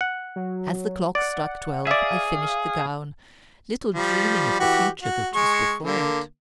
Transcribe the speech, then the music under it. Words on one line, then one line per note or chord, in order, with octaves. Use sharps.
As the clock struck twelve I finished the gown, little dreaming of the future that was before it.
F#5
F#3
D5 F#5
G#4 D5 E5 F5
F3 G3
E3 F#4 G4
F#4
G#3 C#6
D3 A#3